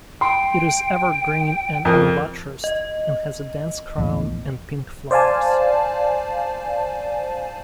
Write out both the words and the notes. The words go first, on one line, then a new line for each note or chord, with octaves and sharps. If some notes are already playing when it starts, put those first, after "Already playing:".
It is evergreen and unbuttressed and has a dense crown and pink flowers.
G5 C6
F2 A#4
D#5
A#1 E2 A2
C5 D5 F5 G#5 A5